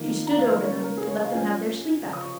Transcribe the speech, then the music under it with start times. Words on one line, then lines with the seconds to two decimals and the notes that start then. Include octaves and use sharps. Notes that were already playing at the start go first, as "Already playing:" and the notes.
She stood over them to let them have their sleep out.
Already playing: F2 D#3 A#3 D#4
0.27 A#5
0.38 F5
0.50 A#4
0.62 C#3 A#3 C#4 C#5
0.80 A#4
0.97 G#4
1.07 C#5
1.15 D#5
1.24 F5
1.32 A#2 F3 C#4 G#5
2.04 C#3 F3 C#4
2.13 D#6
2.22 C#6